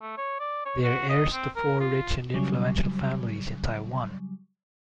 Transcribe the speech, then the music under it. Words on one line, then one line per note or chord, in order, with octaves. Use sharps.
They are heirs to four rich and influential families in Taiwan.
A3
C#5
D5
C#5
F#4
D#5
C4
A#4
F4
C#3 F#3 G3